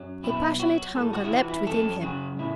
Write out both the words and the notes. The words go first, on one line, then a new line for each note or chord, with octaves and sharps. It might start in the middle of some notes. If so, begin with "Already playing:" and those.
A passionate hunger leapt within him.
Already playing: F#2 F#3
B2 E4
F#3 F#4
A2 A4
F#4
E4
E3 F#4
E4
F#2 A4
C#3 F#4
A2 E4